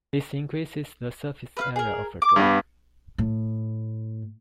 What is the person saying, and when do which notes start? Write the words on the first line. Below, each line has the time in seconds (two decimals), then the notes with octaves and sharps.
This increases the surface area of the drug.
1.57 B4 E5 F5
1.76 G#4 A#4
2.22 D6
2.36 G2 B3
3.18 A2